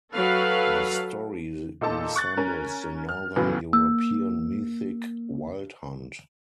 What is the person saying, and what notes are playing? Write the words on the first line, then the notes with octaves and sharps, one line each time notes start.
The story resembles the northern European mythic Wild Hunt.
F#3 A4 B4 F5
A#2 D#4 A4 A5
C#6 F#6 A6
C#4 A#4
F6
D#2 A2 C#3 E3 F#3 B3
A#3 E6